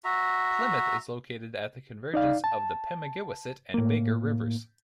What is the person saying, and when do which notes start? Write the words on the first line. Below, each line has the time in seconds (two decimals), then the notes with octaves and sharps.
Plymouth is located at the convergence of the Pemigewasset and Baker rivers.
0.04 F#4 E5 A#5
2.14 D#4 D5 F5
2.44 A5
3.74 A2 A#3